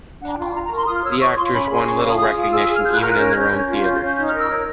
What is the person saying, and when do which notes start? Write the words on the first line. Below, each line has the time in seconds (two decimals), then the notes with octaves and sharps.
The actors won little recognition, even in their own theatre.
0.21 D4 F#5
0.31 G5
0.37 F4
0.42 G5
0.53 F4 A#5
0.64 A#5
0.70 A#4
0.76 C6
0.87 F4 D#6
0.95 F6
1.03 C#5 E6
1.11 D#6
1.20 C#5 C#6
1.36 F4 C6
1.52 C#4 B5
1.63 B5
1.70 G#4 C6
1.86 C#4 C#6
1.97 D6
2.02 F4
2.08 D#6
2.18 G#4 D#6
2.35 F4
2.41 D#6
2.52 G#4 E6
2.63 E6
2.68 G#4
2.74 F6
2.84 F4 G6
2.93 F#6
3.01 A#4 F6
3.10 F#6
3.17 C#4 G6
3.29 G#6
3.34 C#4
3.40 G6
3.50 C#4
3.67 F4
3.83 C#4 G6
3.95 G6
4.00 C#4
4.06 G6
4.16 D#4 G6
4.28 F6
4.33 A#4
4.38 E6
4.49 C#5